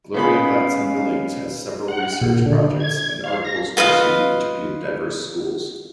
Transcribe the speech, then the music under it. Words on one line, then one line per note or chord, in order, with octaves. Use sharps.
Gloria Ladson-Billings has several research projects and articles where she interviewed diverse schools.
C#3 B3 C#4 B4 D#5 F5 G5 B5
F#5
A#2
D3
G#6
F5
A#6
F4 B4 D#5 F5